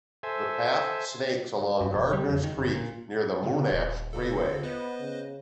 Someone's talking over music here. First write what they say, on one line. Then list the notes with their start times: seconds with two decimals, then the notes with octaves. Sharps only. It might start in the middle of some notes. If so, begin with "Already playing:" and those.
The path snakes along Gardiners Creek, near the Monash Freeway.
0.23 A4 C5 E5 G#5
1.81 G2
1.95 E1
2.13 G3
2.29 F2
2.44 D#3
2.57 G1
2.74 A#2
3.43 C#3
3.72 D#1
4.13 D#2 C#3 F4 A4
4.63 B3 B4 C5 D#5
5.00 C#3